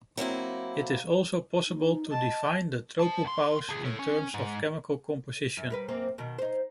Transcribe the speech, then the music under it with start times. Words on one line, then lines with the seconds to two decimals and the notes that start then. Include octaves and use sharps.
It is also possible to define the tropopause in terms of chemical composition.
0.17 F#3 A#3 C4 E4
1.68 D#4
2.10 D#5 A5
2.99 C5 A5
3.25 D#2 C6
3.69 D2 G#4
3.84 A4 C#5
3.99 C#4
4.34 G#2
5.57 F#2
5.70 G3 A#4 B4
5.88 F#2 A#3 C4
6.18 B2 D#3
6.39 D#4 C5